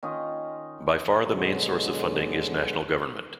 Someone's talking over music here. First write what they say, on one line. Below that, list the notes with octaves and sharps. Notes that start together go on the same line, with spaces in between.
By far the main source of funding is national government.
D#3 C#4 F4 D#5
B2 D3 F#3 G#3